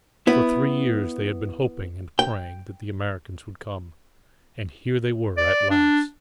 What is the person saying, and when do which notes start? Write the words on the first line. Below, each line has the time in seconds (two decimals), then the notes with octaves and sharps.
For three years they had been hoping and praying that the Americans would come--and here they were at last!
0.27 B3 E4
2.19 G5
5.37 D5
5.70 D4